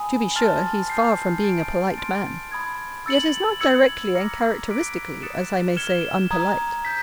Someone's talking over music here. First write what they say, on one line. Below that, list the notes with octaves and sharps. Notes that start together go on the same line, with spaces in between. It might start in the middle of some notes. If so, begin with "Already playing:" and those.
To be sure, he is far from being a polite man: yet is not directly and characteristically, as I may say, unpolite.
Already playing: G#5 B5 D#6
A5 C6 F6 A6
D#6 G6 C7
F6 A6 D7
C6 F6 A6 D7
B5 D#6 G#6
E6 A6 C#7 F#7
E6 G#6 C#7 F#7
A#5 D6 F6 A#6 C#7
D6 F#6 B6 D7
D#6 F#6 A6 C#7 E7
F6 G#6 C#7 E7 G7
A#5 D#6 G#6
G6 B6